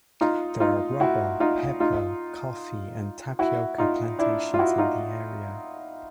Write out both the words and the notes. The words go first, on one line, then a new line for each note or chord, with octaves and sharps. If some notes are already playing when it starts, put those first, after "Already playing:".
There are rubber, pepper, coffee, and tapioca plantations in the area.
D#4 F4
D#4 F4
E4 F#4
D#4 F4
D#4 F4
E4 F#4
D#4 F4
D4 E4
F4
E4 F#4
D#4 F4